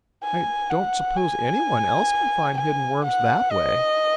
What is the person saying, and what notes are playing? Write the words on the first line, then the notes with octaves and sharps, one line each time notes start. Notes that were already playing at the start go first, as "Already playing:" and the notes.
"I don't suppose any one else can find hidden worms that way."
G#5
F#5
G#5
G#5
F#5
D#5